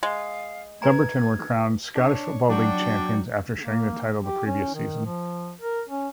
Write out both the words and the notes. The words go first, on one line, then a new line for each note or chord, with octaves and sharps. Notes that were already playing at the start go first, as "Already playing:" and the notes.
Dumbarton were crowned Scottish Football League champions after sharing the title the previous season.
G#3 F5
B4 G#5 A#5 G#6
D4 C#5
F#3 D4 F#4 D5 G5
A#3
G4
C#4
D#3
F3
A#4
C#4